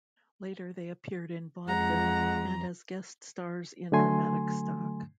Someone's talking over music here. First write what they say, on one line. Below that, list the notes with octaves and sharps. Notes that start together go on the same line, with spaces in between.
Later they appeared in vaudeville and as guest stars in dramatic stock.
F2 G#3 F#5 A#5
D3 F#3 A3 G#5 C6